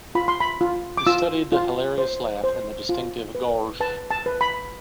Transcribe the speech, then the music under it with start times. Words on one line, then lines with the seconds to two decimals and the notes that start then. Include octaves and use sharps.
He studied the hilarious laugh and the distinctive "gawrsh".
0.15 F4 B5
0.28 C6
0.40 B5
0.61 F4
0.97 D6
1.07 F4 E6
1.52 F4
1.98 C5
2.44 C5
2.89 F4
3.35 B4
3.80 B4 A5
4.11 A5
4.26 B4
4.41 B5